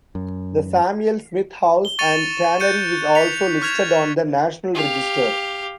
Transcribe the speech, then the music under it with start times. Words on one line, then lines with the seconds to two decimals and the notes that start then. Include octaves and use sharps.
The Samuel Smith House and Tannery is also listed on the National Register.
0.15 F#2
1.85 G7
1.99 C#6 A6 C#7 D#7 F7
2.60 F#6 G6 C#7 D#7
3.15 B6 C#7 F7
3.62 C#6 F6 G#6 F7
4.75 G4 F5